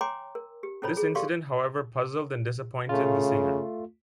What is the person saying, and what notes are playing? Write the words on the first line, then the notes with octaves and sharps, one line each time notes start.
This incident however puzzled and disappointed the singer.
C#5 G5 G#5 A#5 C6 D6
A#4
G4
C#4 E4 A4 C5 C#5 B5
G#4
G4 A4 D5 F5 C6 C#6
C#3 A3 F4